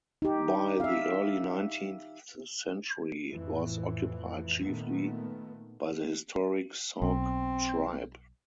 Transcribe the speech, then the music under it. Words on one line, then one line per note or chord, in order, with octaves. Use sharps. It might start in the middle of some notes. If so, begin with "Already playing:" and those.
By the early nineteenth century, it was occupied chiefly by the historic Sauk tribe.
D#4 G4
E5 F5
F2 A2 E3
A#2 D#3 A3 B3
B1 C4